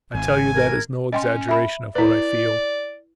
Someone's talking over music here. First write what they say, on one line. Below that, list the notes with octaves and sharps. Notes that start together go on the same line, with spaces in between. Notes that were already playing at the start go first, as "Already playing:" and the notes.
I tell you that is no exaggeration of what I feel.
G#1 G#5
A#4 G#6
C#4 D#5 G5 C6
E5 B5
E4 B4 D5